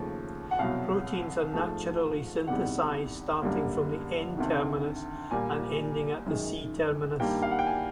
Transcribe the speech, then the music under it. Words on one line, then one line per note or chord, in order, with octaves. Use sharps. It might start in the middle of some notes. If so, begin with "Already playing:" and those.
Proteins are naturally synthesized starting from the N-terminus and ending at the C-terminus.
Already playing: D#2 C#3 F3 A3
F#5
C2 B2 F#3 F5
G#2 F3 A3
E2 C3 D#3 G3 F#5
F#2 D3 G3 A#3
D2 C3 D#3
A#2 G3 A#3 G#5
F#2 D#3 G#3
G2 D#3 G3 A#3 G5
F5
F#5
G5
G#5